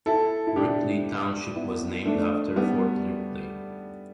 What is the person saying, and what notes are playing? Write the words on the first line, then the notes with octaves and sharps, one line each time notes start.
Ripley Township was named after Fort Ripley.
E4 A4
E4
D4 G4
B3 E4
A3 D4
G3 B3